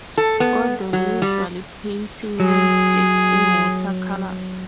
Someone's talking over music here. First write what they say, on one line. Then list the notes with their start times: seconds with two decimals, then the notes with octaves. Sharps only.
Gordon usually painting landscapes in watercolours.
0.17 A4
0.40 B3
0.93 F#3
1.22 G3
2.40 F#3 G#4